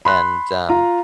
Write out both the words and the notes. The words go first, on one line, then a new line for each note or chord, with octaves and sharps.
And, um,
B5 C6 F#6
F4 A#5